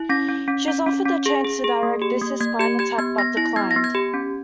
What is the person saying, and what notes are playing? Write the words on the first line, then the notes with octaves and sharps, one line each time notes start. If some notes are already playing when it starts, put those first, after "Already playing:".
She was offered the chance to direct "This is Spinal Tap", but declined.
Already playing: E4
C#4 A#6
C#4
C#4
C#4
C#4
C#4
G#4
G#4
G#4
A#3
G4
A#3
A#3 G#6
G4 G#6
G4 G#6
B3 G#6
B3 A#6
E4 A#6
B3 G#6
A#6
B3
G#6
G4
C#4